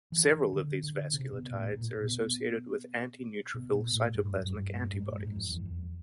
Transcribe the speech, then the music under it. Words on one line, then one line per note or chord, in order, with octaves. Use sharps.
Several of these vasculitides are associated with antineutrophil cytoplasmic antibodies.
E3
D#3
D3
D3
C3
B2
A2
A#2
B2
B2
A#2
A2
G2
F#2
G2
G#2
G2
G#2
A2
G#2
G2
G#2
F2
E2
F2